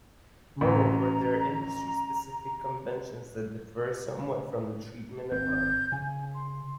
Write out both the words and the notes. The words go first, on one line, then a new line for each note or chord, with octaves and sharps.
Moreover, there are industry-specific conventions that differ somewhat from the treatment above.
A1 A#5
G#1 C4 G6
C#3 G#5
C6